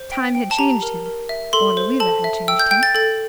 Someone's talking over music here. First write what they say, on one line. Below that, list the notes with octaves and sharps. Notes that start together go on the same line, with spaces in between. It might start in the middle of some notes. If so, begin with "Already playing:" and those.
Time had changed him, or Louisa had changed him.
Already playing: C5
G5
G5
A5
G4 A#5
A#4
A#4
E5
A4 C6
C5
A4 A5
E5
G5 E6
G6
G5 G6
A6
A4 A6